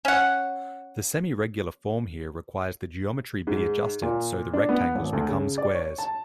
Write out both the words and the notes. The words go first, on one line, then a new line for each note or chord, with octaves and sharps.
The semiregular form here requires the geometry be adjusted so the rectangles become squares.
C#4 F#5
G#2
A#2
D4
B3
G#1
D2
C#3
D5
C#5
A5